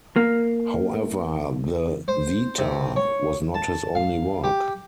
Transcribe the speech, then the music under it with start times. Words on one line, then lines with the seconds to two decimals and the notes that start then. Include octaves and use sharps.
However, the "Vita" was not his only work.
0.16 A#3
2.08 C5
2.59 C3
2.96 C#5
3.54 A5
3.95 F5
4.44 G4